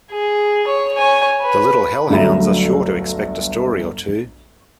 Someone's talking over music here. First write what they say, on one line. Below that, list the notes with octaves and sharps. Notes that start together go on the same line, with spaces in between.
The little hell hounds are sure to expect a story or two.
G#4
C#5
C#5 G#5
B4
G1 D2 F#3 A3 E5 A#5